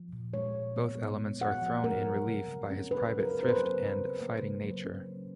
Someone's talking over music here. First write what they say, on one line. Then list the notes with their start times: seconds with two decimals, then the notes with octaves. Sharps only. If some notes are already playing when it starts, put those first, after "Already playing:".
Both elements are thrown in relief by his private thrift and fighting nature.
Already playing: F3
0.13 A#2
0.34 G#3 C#5
0.55 A#2
0.76 B3
0.97 G#3
1.20 G#3
1.40 F3 F#5
1.62 F3
1.84 G#3 A#4
2.06 F#3
2.27 C#3
2.48 C#3
2.70 C#4
2.91 C#4 B4
3.13 F#3
3.20 A#4
3.35 C#3
3.43 C5
3.48 B4
3.56 F#3
3.77 C#3
3.98 C#3
4.21 A#3
4.41 C#3
4.64 F#3
4.85 C#4
5.06 F#3